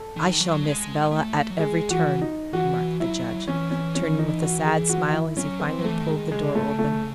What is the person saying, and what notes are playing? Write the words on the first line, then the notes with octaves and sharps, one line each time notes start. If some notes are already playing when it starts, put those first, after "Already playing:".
"I shall miss Bela at every turn," remarked the judge, turning with a sad smile as he finally pulled the door open.
Already playing: A4
D#3
F#3
G#3
A3
F#3
G#3 G#4
E3 F#4
D#4
E3 F#4
F#3 E4
E3 C#4
C#4
C#4
D#4
F#4
G#4
F#4
E4
F#3 C#4
C4
E3
F#3
E3 A3
D#3
G#3
C#3 G#3
A3
A3